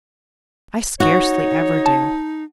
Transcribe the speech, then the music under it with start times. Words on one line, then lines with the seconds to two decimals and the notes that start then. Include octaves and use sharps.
I scarcely ever do.
1.00 D#4 F#4 C#5
1.86 A5